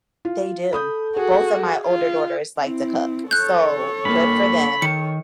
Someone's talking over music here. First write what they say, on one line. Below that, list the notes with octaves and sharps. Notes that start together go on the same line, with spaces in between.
They do. Both of my older daughters like to cook, so good for them.
F4
A4 B5 D#6 G6
F#4 G#4
F4
C4 E4
A4 C#5 F#6 G6
G2 A#3 B5
D#3 C#7